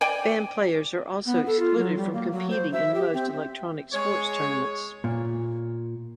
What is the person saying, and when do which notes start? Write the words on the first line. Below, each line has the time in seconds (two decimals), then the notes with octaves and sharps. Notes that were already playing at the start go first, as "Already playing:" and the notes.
Banned players are also excluded from competing in most electronic sports tournaments.
0.01 D5 G5 G#5
1.26 B3
1.46 A4
1.59 F4
1.77 F#3
1.96 G3
2.13 A#3
2.32 F#3
2.50 C5
2.72 E5
2.94 G4
3.13 C4
3.93 G#3 C#5
5.04 A#2